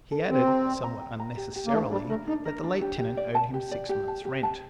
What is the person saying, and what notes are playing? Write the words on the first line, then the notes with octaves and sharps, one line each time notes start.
He added, somewhat unnecessarily, that the late tenant owed him six months' rent.
A4
C4 G4
A#5
D5
A#5
G5
A#5
G4
G4
A#3
A3 D4
G3 D4
A3 A#4
D4 D#4
A#4
D4
G4
G4
D5
A5
G4
D5
G4
A5
G4
A5